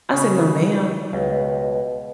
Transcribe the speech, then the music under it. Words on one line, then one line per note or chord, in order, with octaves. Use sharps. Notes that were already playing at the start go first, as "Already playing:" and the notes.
I said, "No, ma'am."
C#3
C#2 B2